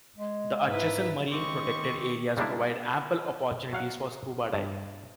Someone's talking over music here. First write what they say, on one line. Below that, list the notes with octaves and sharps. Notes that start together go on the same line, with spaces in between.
The adjacent marine protected areas provide ample opportunities for scuba diving.
G#3
G#2 E4 B4
D#3 G#3 C4 C#4 G4 C#6
C#3 G3 G#3 A#3 D4 E4
F#3 F5 F#5
G2